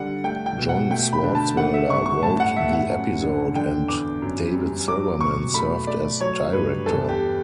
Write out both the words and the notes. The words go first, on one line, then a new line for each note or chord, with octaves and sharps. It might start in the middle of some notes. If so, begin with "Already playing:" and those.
John Swartzwelder wrote the episode and David Silverman served as director.
Already playing: D3 G3 F#5
A3 G5
G5
B2
F#5
A3 G5
B5
D3
A5
A3 F#5
E5
G2 C#6
C#6
A2 A5
F#5
A2 E5
F#5
F#2
D3
D3 G5
E2 D6
F#2
G3
F#3 D6
B2 C#6
A3 B5
A3 D5
F#3 C#5
G2 B4
E2 A4
G4